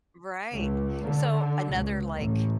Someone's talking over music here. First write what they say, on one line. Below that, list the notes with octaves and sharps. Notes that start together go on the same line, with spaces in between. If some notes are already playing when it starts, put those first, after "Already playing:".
Right. So, another, like,
C#2
D3
C#2
A1